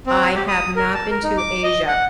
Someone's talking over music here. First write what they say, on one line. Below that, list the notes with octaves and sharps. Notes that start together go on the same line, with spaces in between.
I have not been to Asia,
C4
G4
D#6
A#4
A5
A#4
D#4
D6
D#5
F#5